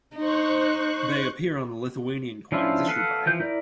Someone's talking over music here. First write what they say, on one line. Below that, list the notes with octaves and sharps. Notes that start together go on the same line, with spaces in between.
They appear on the Lithuanian coins issued by him.
D#4 C5 C#6 F#6
F3 C#4 D4 E4 F4
A4 B4 F5 F#5
E3 F3 G6
E4 A#4 D5